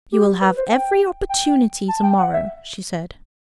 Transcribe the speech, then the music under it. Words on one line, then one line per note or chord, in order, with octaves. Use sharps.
"You will have every opportunity to-morrow," she said.
G4
B4
C5
G5
G5
A5
G5
F#5
E5